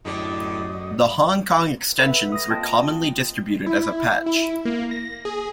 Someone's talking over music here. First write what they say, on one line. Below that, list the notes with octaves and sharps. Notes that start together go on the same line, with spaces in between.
The Hong Kong extensions were commonly distributed as a patch.
F#2 A2 D3 G4 D5 D#5
A4 B4 E5 F#5 B5
D#6 A#6
A#3 C4 F4 D#5 G5 A5
E4
E4
A#3
A#6
G#4